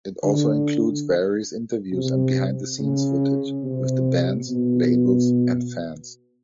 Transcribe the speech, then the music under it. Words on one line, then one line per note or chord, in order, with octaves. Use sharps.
It also includes various interviews and behind-the-scenes footage with the bands, labels and fans.
D3
C3
C#3
C3
B2